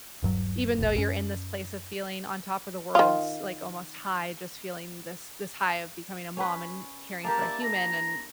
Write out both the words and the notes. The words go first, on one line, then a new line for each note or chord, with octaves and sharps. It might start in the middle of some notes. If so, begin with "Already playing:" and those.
even though you're in this place of feeling on top of the world, s like almost high, just feeling this this high of becoming a mom and caring for a human, and
D#1 G2 F#3
E1 A#1
F#2 C#4
D#3 F4
C#4 B4
A#3 G4 A#4 A5
D4 E4
A#5